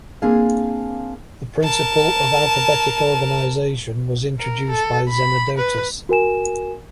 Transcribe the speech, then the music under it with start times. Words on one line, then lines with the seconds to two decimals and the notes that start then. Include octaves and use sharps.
The principle of alphabetic organization was introduced by Zenodotus.
0.22 A#3 C4 D4 G#4 F5 G#5
1.63 A#4 A5
4.39 A#4
4.70 A4
5.09 B5
5.58 B4
6.09 F#4 A#4 G#5 E7